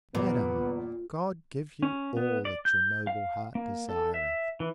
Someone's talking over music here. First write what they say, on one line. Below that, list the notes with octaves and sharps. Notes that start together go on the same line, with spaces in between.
Madam, God give you all that your noble heart desireth!
G1 E2 A#2 B3
C#4
B3
D5
G6
F5
A#3
A4
E5
E3